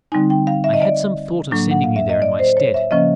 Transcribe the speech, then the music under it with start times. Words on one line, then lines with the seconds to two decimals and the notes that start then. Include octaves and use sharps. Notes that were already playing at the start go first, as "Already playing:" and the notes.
I had some thought of sending you there in my stead.
0.12 D3 G3 C4 D#4 G#5
0.30 G5
0.47 F5
0.64 E5
0.74 D#5
0.82 D5
1.51 A2 F#3 A#3 D4
1.71 F#5
1.84 F5
1.96 E5
2.09 D#5
2.22 D5
2.39 C5
2.57 C#5
2.74 E5
2.91 C#3 F3 A#3 C#4 D#5